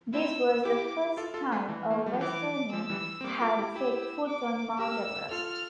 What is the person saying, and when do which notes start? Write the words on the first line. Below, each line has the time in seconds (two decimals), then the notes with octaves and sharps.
This was the first time a Westerner had set foot on Mount Everest.
0.14 C4 E4 E6
0.65 E4 G4 D6
1.17 F4 A4
1.34 F4 A4
1.52 A3 C4
1.69 E3
1.90 A#3
1.98 A3
2.06 G3
2.13 F3
2.21 E3 D6
2.72 F3 E6
2.89 E3 G3
3.21 C4
3.24 G3 A#3 D6
3.41 F4 A4
3.59 E4 G4
3.76 E4 G4 E6
4.28 D6
4.79 G4 A#4 E6
5.31 F4 A4 F6